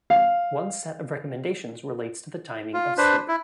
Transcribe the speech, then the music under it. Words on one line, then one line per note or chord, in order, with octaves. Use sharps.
One set of recommendations relates to the timing of sleep.
F5
F4
D4 B4 C5
E4